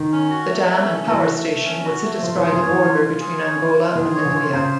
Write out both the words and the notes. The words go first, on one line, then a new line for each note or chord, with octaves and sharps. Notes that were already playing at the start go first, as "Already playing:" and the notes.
The dam and power station would sit astride the border between Angola and Namibia.
Already playing: D#3
C#4
F#4
A3
A3
C#4
E3 F#4
A3
A3
C#4
F#4
A3
F3 F4
E3
G#4
F3
E3 C#5
F4
F4
G#4
C#5
F4
F4
E3 G#4
C#5
D3
F4
C#3 C5